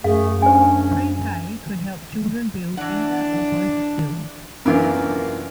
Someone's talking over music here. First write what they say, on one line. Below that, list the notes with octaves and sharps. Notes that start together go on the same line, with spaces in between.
Pre-K could help children build either or both skills.
F#2 A3 G#4 F5
C#4 D4 C5 G#5
E3 D4 F#5
F#2 A2 C3 E3 A#3 D4 F4